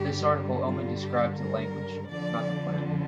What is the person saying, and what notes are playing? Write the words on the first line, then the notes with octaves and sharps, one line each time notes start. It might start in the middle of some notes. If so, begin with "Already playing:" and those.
This article only describes the language, not the planner.
Already playing: G2 D3 G3 G4
F4
G4
A#4
F2 D3 F3 D5